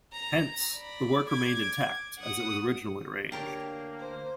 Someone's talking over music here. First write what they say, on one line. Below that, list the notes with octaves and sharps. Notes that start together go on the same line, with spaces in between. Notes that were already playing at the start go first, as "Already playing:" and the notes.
Hence, the work remained intact as it was originally arranged.
A#5
D5 B5
D6 G#6
F#5 D#6
D2 G#2 A#3 D4 G4 A#4 C#5
C5